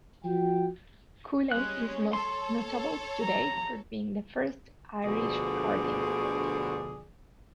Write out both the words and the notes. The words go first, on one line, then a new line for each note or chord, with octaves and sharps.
Cullen is most notable today for being the first Irish cardinal.
F3 F#4 G5
G3 G#3 C#4 F#6
A4 C#5 C6
A#5
D2 B2 D3 F3 G#4 D5